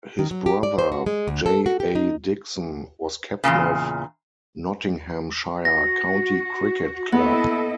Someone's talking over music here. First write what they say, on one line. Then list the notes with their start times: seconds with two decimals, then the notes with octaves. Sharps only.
His brother, J A Dixon, was captain of Nottinghamshire County Cricket Club.
0.19 D#3
0.31 F#3
0.46 G4
0.63 D5
0.79 C5
0.92 F#4
1.06 G#3
1.28 D2
1.46 A4
1.66 F#4
1.80 G4
1.95 D#4
3.44 E2 G2 A#2 C#3
5.65 F#4 A#6
7.12 B3 E4 A4 D#5